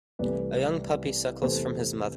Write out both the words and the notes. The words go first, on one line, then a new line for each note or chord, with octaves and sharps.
A young puppy suckles from his mother.
C2 C3 E3 A3 B4 D5
E2 C3 E3 A3 A4 C5